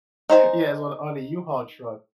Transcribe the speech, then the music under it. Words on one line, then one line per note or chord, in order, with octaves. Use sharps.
Yes, on on a U-Haul truck,
D#4 C5 G#5